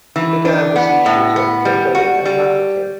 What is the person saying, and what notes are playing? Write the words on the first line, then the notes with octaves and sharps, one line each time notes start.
He began the sieges of Kimberley and Mafeking.
E3
D4
B3
A2
B3
G3
F#4
G3